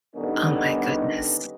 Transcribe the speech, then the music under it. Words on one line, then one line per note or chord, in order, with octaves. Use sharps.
Oh my goodness.
D3 D#3 G3 B3 C#4 D#4